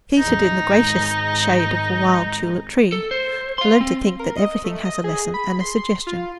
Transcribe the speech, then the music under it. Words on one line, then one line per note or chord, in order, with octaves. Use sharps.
Seated in the gracious shade of a wild tulip tree, I learned to think that everything has a lesson and a suggestion.
A1 E2 D#4
G#1 G#3
A4
C5
F5 C6
C4
A#4
D#5
A3
D#5
G#4
B5
C6
F4